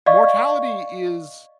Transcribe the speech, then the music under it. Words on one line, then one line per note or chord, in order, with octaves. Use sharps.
mortality is
D5 D#5 F5 C#6